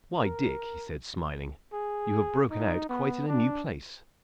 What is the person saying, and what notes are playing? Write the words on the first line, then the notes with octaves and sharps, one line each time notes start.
"Why, Dick," he said smiling, "you have broken out quite in a new place."
A#4
G#4
D#4
B3
D4